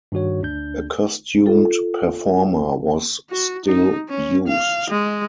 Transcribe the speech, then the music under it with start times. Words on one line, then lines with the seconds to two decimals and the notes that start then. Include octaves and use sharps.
A costumed performer was still used.
0.12 G2 D#3 F#4 C#5
0.42 D2 D4 G6
1.46 F4 A4
3.30 F#4
3.66 D#4
4.09 C#4
4.48 F5
4.90 G#3